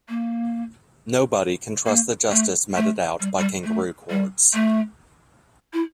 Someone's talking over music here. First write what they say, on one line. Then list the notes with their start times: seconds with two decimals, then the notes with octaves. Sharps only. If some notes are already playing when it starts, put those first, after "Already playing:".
Nobody can trust the justice meted out by kangaroo courts.
0.09 A#3
1.86 A#3
2.31 A3
2.76 A3
3.20 G3
3.38 G3
3.64 A3
4.10 G3
4.53 A3
5.73 E4